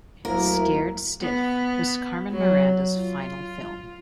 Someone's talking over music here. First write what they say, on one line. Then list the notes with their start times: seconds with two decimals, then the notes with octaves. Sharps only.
"Scared Stiff" was Carmen Miranda's final film.
0.25 D2 F#3 A#3 E4 A#4
1.21 B3
2.31 F#3
2.97 F4